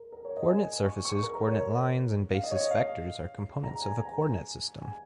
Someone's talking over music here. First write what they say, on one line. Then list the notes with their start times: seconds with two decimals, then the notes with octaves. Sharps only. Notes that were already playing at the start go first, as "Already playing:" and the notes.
Coordinate surfaces, coordinate lines, and basis vectors are components of a coordinate system.
Already playing: A#4
0.12 A#4
0.25 C#5
0.37 D#5
0.49 G#5
0.86 C#6
1.05 C#6
1.23 A#4
1.35 A#4
1.48 C#5
2.34 F5
2.43 D#5
2.51 C#5
2.61 D#5
2.71 F5
3.64 A#5
3.82 G#5
4.01 A#5
4.20 G#5
4.82 G#5